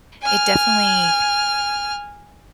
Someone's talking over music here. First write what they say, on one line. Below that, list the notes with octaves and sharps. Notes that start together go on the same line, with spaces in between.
it definitely,
G#5 F6